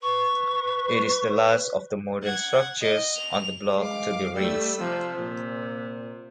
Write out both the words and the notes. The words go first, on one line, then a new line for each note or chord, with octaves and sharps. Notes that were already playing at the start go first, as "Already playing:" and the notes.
It is the last of the modern structures on the block to be razed.
B4 C#6
F#5 G#6
D#5
F7
G#3 F5 D6
G3 A3 E6
C3 F3
A#2